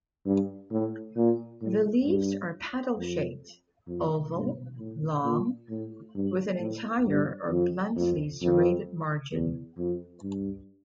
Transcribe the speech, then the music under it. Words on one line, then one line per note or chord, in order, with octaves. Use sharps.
The leaves are paddle-shaped oval, long, with an entire or bluntly serrated margin.
G2
A2
A#2
A2
G2
F2
F2
G2
A2
A#2
A2
G2
A2
G2
F2
F2
F2
E2
F2
G2